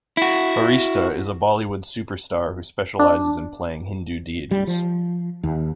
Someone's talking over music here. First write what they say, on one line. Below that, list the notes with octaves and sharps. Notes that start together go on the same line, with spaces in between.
Farishta is a Bollywood superstar who specialises in playing Hindu deities.
E4 F#4
D4
G3
F3
D#2